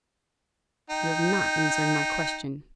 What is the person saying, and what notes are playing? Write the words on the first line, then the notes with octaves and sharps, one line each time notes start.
You have not answered my question.
D#4 G5